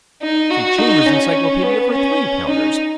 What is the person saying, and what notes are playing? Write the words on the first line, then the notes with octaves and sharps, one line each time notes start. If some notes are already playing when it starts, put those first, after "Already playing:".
See Chambers' Encyclopedia for three-pounders.
D#4
F#4
D#4
C#4
B3
C#4
D#4